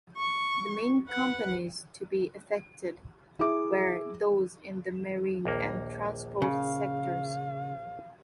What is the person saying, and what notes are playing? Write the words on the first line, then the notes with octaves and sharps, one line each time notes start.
The main companies to be affected were those in the marine and transports sectors.
C#6
B4 F#5
E4 G#4 E5 D6
A#1 D#2 A#3
C#3 F5